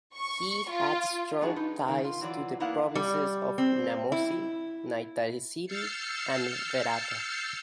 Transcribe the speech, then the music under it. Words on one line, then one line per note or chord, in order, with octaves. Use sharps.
He had strong ties to the Provinces of Namosi, Naitasiri, and Verata.
C#6
F4
F#3 B3 D4 D#4 F#4 G#4
D#4 B4
B2 D#3 A#3
F4
E3 F#3 F4 D5
A#3 B3 E4 D5 F5 F#5
G3
C4
E4
E6 F6 G6 A6 C7 C#7